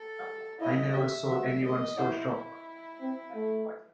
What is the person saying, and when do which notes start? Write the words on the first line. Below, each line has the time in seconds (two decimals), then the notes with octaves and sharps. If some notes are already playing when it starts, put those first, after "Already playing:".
I never saw anyone so shocked.
Already playing: A4
0.60 E4 D#5
0.94 G4 E5
1.29 F#4
1.63 D#5
1.97 E4 C5
2.32 E4
3.01 C4
3.35 A3